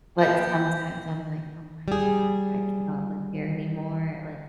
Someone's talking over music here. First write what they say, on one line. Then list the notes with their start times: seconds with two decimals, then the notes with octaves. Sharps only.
but sometimes I'm like, "Oh my god, I cannot live here anymore." Like,
0.19 A#2 B3 G5 G6
1.88 G3 G#4